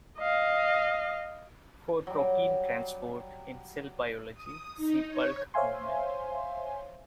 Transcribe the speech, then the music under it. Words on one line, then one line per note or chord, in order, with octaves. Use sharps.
For "protein transport" in cell biology see Bulk movement.
D#5 F5
F#3 G3
D#6
D#4
C#5
C5 C#5 E5 F5 G#5 C6